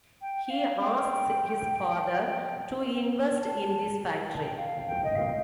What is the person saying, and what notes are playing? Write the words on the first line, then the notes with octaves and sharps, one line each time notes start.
He asks his father to invest in this factory.
G5
G5
F5
G5
G5
A5
G5
A5
G5
F5
G5
D#5
F5